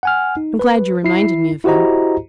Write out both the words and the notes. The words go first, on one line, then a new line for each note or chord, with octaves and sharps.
I'm glad you reminded me of him.
F#5 G#5 F6
D#4
B4
E4 C7
E4 F#4 G4 C5 D#5 A#5